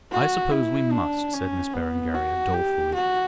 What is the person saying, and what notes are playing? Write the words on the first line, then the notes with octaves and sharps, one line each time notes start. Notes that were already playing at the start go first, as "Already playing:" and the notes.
"I suppose we must," said Miss Berengaria, dolefully.
F#4
E4
D4
C#4
B3
F#4
G4
F#4